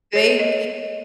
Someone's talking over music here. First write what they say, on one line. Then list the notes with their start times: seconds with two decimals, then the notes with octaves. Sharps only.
Thank you
0.15 C#5
0.39 D#5